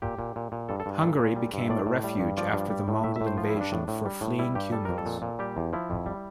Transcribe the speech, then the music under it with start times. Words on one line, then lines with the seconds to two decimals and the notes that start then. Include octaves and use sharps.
Hungary became a refuge after the Mongol invasions for fleeing Cumans.
0.02 A#2 G4
0.19 A#2
0.36 A#2
0.52 A#2
0.69 G2 A4
0.80 A4
0.86 G2
1.03 A#2 A4
1.19 A#2
1.36 G3
1.54 G2
1.59 E5
1.69 A2 D5
1.86 A2
2.04 G3
2.20 G2
2.37 F3 D5
2.53 G2
2.70 G3
2.88 A2
3.04 A2 E5
3.16 A2 E5
3.27 C5
3.37 F3 F4
3.50 E4
3.55 G2
3.61 D4
3.72 A2
3.88 A2
4.06 G3
4.21 A2
4.39 G3 E4
4.55 G2 G4
4.72 G3 A4
4.85 F2 A#4
4.98 A4
5.06 A#2
5.22 A#2
5.39 G3 G4
5.57 E2
5.73 F3 E4
5.90 F2
6.06 G3